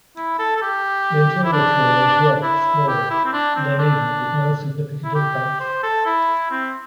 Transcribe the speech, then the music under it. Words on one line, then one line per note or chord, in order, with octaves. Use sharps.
The interior floor is rough, small, and uneven, with no significant impacts.
E4
A4
A4
G4
E4
D4
E4
G4
E4
C4
D4
C4
D4
E4
G4
C5
A4
E4
C4